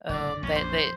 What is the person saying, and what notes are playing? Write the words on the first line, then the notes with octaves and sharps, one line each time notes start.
um, that that
F#1 A2 D5
A#1 F2 C#4
C5